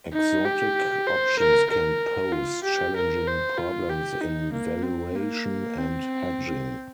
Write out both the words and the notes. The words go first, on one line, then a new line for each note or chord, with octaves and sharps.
Exotic options can pose challenging problems in valuation and hedging.
D#4
G4
C5
A#4
A#4
F4
G4
A#4
C5
F4
G4
D#4
A#3
C4
A#3
C4